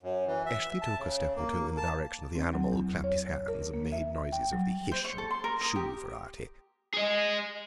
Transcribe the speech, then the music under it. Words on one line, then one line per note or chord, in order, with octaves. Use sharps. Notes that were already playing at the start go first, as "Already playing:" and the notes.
Eshley took a step or two in the direction of the animal, clapped his hands, and made noises of the “Hish” and “Shoo” variety.
F#2
E3
E5
A5
C#3
A#3
A5
C4
F#3
E2
C#5
A#4
A#3
E5
G5
F#3
C5
C#5
A4
C6
A#4
D#6
G4
G#4 D#5